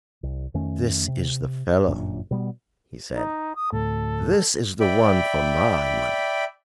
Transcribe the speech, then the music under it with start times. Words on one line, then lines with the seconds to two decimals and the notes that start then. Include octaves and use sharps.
"This is the fellow," he said, "this is the one for my money."
0.23 C2
0.54 F2 D#3 A3 C#4
1.08 C3
1.87 G1 F#2 A#2 D4
2.31 B2 G3 B3
3.14 D#4
3.56 D#6
3.73 D1 D2 A2 A4
4.80 D5 E5 G5 B5